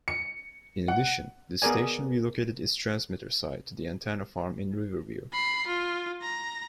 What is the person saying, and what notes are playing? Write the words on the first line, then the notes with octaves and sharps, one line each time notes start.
In addition, the station relocated its transmitter site to the antenna farm in Riverview.
C#7
F#5
B3 G#4 A#4 D5 G#5
B5 C7
F4
A#5